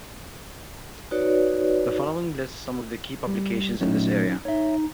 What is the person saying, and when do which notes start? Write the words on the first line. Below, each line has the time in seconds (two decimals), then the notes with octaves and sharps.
The following lists some of the key publications in this area.
1.11 D#4 F#4 B4 C#5 D5
3.27 G3
3.81 A#2 F#3 A3 C#4 D#4
4.45 D#4 C#5 E5